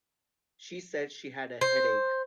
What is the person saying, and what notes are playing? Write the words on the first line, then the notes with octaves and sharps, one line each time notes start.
She said she had a headache.
C5